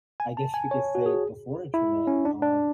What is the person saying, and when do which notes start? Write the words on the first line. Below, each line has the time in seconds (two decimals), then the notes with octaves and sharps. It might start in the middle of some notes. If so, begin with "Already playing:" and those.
I guess you could say before internet, um,
0.20 G#5
0.37 A5
0.54 G#5
0.71 C#5
0.95 F#4
1.06 G#4
1.74 E4
2.07 C#4
2.25 D4
2.42 D4